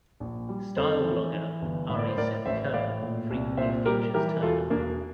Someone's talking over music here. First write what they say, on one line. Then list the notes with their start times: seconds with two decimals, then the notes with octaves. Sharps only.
Style blogger Ari Seth Cohen frequently features Turner.
0.20 A#1
0.49 G3
0.77 F2 A4 C5
1.04 E3
1.34 E3
1.62 G1
1.89 A2 E5
1.99 D5
2.08 C5
2.17 A2 A#4 D5
2.46 A1 C5 E5
2.73 A2 D5 F5
3.02 A#2
3.30 C2
3.57 A#2 C5 E5
3.85 G3 G4 A#4
4.14 E3 G4 A#4
4.42 E1 F4 A4
4.70 E1 A#3 D4